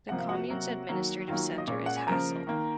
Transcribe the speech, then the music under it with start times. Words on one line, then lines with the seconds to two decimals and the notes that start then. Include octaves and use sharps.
The commune's administrative centre is Hassel.
0.09 C3 F3 A#3 F#5
0.19 F5
0.29 F#4 F#5
0.48 C3 F#3 A#3
0.89 D#3 F#3 A#3
1.28 D#3 F#3 A#3 F4 F5
1.58 D#5
1.67 A#2 G#3 C#4 C#5
1.86 F#5
1.97 G#5
2.07 C#3 F3 A#3 A#4 A#5
2.47 D#3 A#3